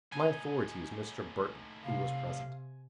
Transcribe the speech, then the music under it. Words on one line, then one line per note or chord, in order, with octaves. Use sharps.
"My authority is Mr. Burton, who was present."
A2 D#4 G#5
C3 F5